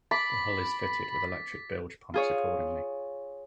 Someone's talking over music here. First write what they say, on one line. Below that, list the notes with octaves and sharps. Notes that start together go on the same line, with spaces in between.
The hull is fitted with electric bilge pumps accordingly.
B5 D6 A6 B6
F4 G#4 C#5